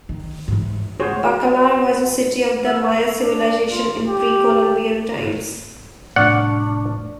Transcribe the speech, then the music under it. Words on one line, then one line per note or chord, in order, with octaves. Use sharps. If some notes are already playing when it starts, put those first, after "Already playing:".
Bacalar was a city of the Maya civilization in Pre-Columbian times.
D#3
G#2 E3
F#4 G#4 C5 C#5
E5
D4
F4
G4
F1 F2 A2 D4 D5 F#5 C#6 F6